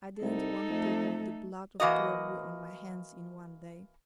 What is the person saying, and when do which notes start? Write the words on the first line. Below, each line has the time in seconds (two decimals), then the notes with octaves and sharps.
'I didn't want to have the blood of two of you on my hands in one day.
0.22 C2 D#4 A4
0.69 F2 A3
1.80 E3 A#3 F#4 D#5